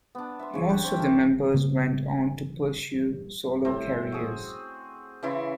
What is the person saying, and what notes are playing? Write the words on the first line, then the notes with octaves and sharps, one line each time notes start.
Most of the members went on to pursue solo careers.
B3 D4
E5 C6
C#3 C#5
D4 G4 C#5 C#6
C4
A#4 A5 C#6
C#3 A#3
A2 C4
F#4 G#4
C#3 E3 E4 C6